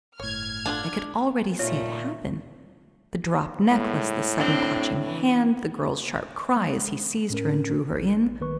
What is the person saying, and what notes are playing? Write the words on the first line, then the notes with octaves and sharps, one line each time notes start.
I could already see it happen--the dropped necklace, the sudden clutching hand, the girl's sharp cry as he seized her and drew her in.
G1 A2 C#5 F6 G#6
D3 D4 F4 A5
A#2 A3 D#4 F4 C#5
A2 G#3
C4 D4
E3
G#3
A2 C#4 A#4
A1
A#1 D#3 B4 C#6